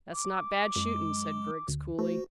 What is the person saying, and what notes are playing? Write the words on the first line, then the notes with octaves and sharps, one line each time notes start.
"That's not bad shooting," said Griggs coolly.
D6
F#2 G#3
D2
A3 F#4 C5